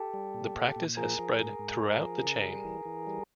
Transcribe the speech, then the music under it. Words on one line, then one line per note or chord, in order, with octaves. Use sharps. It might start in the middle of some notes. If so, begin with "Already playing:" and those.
The practice has spread throughout the chain.
Already playing: G4 A4
G3
A#2
A#2
A#2
F3 G#4 A#4
F3
G#2
G#2
G#2
F3
C#3
G3
E3
E3
G3